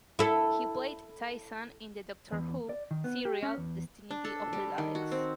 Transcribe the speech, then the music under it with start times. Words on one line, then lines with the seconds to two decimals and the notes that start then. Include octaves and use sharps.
He played Tyssan in the "Doctor Who" serial "Destiny of the Daleks".
0.19 E4 A4
2.32 E2
2.69 D5
2.91 D#3
3.04 B3
3.25 G4
3.43 C#4
3.58 E2
4.11 D4
4.25 A4
4.53 G3
4.78 D#3
4.95 F#4
5.11 C4